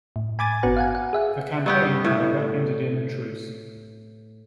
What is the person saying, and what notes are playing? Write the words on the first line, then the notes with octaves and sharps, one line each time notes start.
The campaign, however, ended in a truce.
A2
G#5 B5 D6 G#6 A6 D#7
G1 B3 F#4 B4 F#5 A#5
F5 F#5 G#5
F#5
G#4 E5 F#5
G2 B3 G4
A2